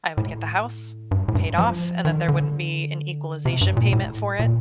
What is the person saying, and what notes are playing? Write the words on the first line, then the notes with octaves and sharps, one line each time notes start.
I would get the house, paid off, and that there wouldn't be an equalization payment for it.
A2
G2
A2
G2
F3
D#3
D3
C3
G2
A#2
A2
A#2